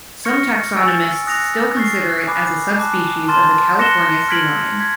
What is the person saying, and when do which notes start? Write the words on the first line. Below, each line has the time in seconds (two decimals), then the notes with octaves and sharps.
Some taxonomists still consider it as a subspecies of the California sea lion.
0.25 C#6 F6 A#6 C#7
0.76 G#5 C#6 E6 A6 D7
1.27 D#6 F#6 A#6 C#7 F7
1.77 C#6 F6 A6 C7
2.27 G#5 B5 D6 F#6
2.78 A5 D6 F#6
3.28 A5 C6 F6 A6
3.79 F#6 A#6 C#7 E7 G7
4.28 F6 G#6 B6 D7 F#7
4.80 G#6 B6